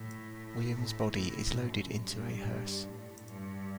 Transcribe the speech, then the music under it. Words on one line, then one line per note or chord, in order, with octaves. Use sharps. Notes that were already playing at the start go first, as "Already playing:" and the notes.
Williams' body is loaded into a hearse.
Already playing: A2
A2
F#2
G2
A2
G2